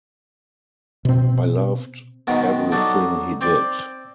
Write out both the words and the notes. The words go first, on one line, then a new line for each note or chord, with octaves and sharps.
I loved everything he did.
B2 C4
G#2 B2 D#3 B3
F#3 D4 D#4 A4
C4 C5 D5